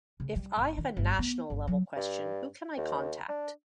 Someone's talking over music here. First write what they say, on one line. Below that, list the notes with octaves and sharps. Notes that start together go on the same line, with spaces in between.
If I have a national level question, who can I contact?
C#3
G3
G1
D#3
G1
B3
G1
F#3
G2
D#2
D4